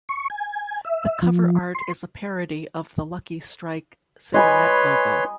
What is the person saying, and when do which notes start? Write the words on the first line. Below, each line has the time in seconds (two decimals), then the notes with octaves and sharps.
The cover art is a parody of the Lucky Strike cigarette logo.
0.09 C#6
0.30 G#5
0.85 E5
1.23 F3
1.75 C6
4.34 B4 C#5 D#5 G#5 B5 C6